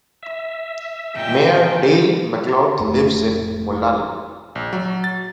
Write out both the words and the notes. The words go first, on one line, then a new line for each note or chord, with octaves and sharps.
Mayor Dale McLouth lives in Molalla.
E5
A#2 D#4 G5
F1 A3
A#1
F#3
A6